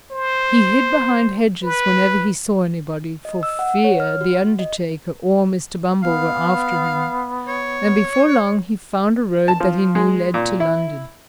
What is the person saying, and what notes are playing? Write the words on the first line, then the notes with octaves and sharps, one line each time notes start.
He hid behind hedges whenever he saw anybody, for fear the undertaker or Mr. Bumble were after him, and before long he found a road that he knew led to London.
C5
B4
D#5
E6
F#5
C#5
F6
F#4
D#5
B3 F5
C#5
A5
F3
G#3
A#2
E4